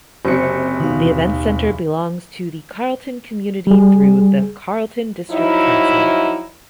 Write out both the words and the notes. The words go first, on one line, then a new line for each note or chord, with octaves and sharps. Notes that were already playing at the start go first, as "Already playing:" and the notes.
The Events Centre belongs to the Carterton community, through the Carterton District Council.
F#1 C3 C5 C#7
D#2 B2 D#4 F5
G3 G#4
F3 F#3 D#4 E4